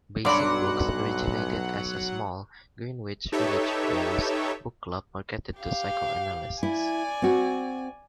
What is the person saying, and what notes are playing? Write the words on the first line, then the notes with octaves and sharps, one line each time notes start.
Basic Books originated as a small, Greenwich Village-based book club marketed to psychoanalysts.
B1 G2 F#3 D5 F#5 B5 C6 D6
D#4 G4 A4 B4 C#5 E5
G4 F5
E4 D5 G#5
C4 F#4